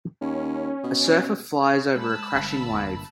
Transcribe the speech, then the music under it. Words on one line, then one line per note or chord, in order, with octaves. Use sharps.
A surfer flies over a crashing wave.
D#2 C#4
B2
G#3 A5 B5 E6
G1 G2
E2 C3 A#3 A#5